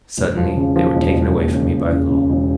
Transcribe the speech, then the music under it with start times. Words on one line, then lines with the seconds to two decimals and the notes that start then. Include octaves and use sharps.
Suddenly they were taken away from me by the law.
0.18 E1
0.37 F3
0.57 C#3
0.76 F3
0.96 E1
1.14 E1
1.34 D#2
1.53 C#3
1.72 E1
1.91 C#3
2.11 C#3
2.30 E1